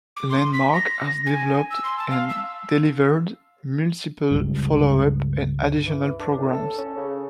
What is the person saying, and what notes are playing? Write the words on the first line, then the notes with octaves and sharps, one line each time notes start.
Landmark has developed and delivered multiple follow-up and additional programs.
D6
C6
B6
A#6
G#5
E6
C6
A5
F5
E6
C#2 G2
E3
D4
A2
A4
C#4
C#3